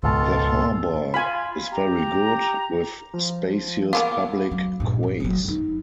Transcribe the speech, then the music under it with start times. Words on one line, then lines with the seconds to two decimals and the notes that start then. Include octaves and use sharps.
The harbor is very good, with spacious public quays.
0.03 C#2 G#2 B2 F4 A4
1.14 F4 G#5 B5
1.72 G4 A#5
3.13 F3
3.93 A#3 B3 F4 F5 D6
4.51 F#3 C#4
4.80 G2 A#2
5.03 D#3 F3
5.20 F#1 F#3
5.44 F#2 D#4